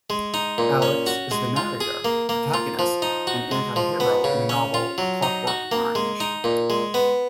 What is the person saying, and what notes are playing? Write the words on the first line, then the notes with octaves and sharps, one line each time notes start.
Alex is the narrator, protagonist and antihero in the novel "A Clockwork Orange".
G#3
D#4
A#2
C#4
F#4
G#3
F4
G#4
A#3
A#3
F4
F3
D#4
F#4
G#3
F3
B3
C#3
C#4
F4
F#3
D#4
F#4
A#3
G#3
D#4
A#2
G#3
B3